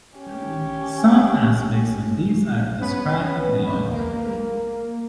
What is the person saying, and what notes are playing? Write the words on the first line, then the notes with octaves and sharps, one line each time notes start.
Some aspects of these are described below.
C#4 G4
B3 C#4 B4
A#3